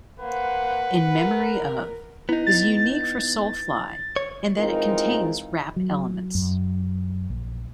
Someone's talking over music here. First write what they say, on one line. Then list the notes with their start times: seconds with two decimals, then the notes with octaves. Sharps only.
"In Memory of..." is unique for Soulfly in that it contains rap elements.
0.20 A#3 B4 C5 F#5
1.12 A#4
2.29 B3 D#4 E4
2.47 A6
4.16 C#5
4.57 E3 G#3 C4 D#4 F4 A#4
5.76 F#3
6.35 F#2
7.30 A#1